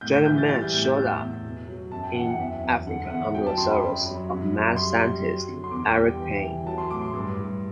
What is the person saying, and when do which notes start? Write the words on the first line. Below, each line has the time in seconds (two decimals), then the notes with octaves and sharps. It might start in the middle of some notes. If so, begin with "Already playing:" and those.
Dragon Man showed up in Africa under the service of mad scientist Eric Pain.
0.01 A2 G6
0.14 G6
0.25 E3 G6
0.38 A6
0.49 G3 A6
0.62 G6
0.73 A2 G6
0.85 G6
0.97 E2 E6
1.21 E2
1.45 B2
1.67 F#3
1.91 F#2 A5
2.04 G5
2.15 E3 F#5
2.27 F#5
2.39 E2 E5
2.63 E2
2.87 D3 F#5
3.05 E5
3.10 E2 F#5
3.35 F#3 G5
3.47 A5
3.58 F#2 C6
3.70 B5
3.82 F#2
4.06 F#3
4.30 F#2
4.54 F#2
4.76 G3 C6
5.01 G3
5.25 F#3
5.48 D3
5.64 C6
5.71 E2 D6
5.95 G3 G5
6.20 E3
6.43 E3
6.66 F#3 A5
6.78 C6
6.91 A2 D6
7.02 C6
7.13 G2
7.38 G2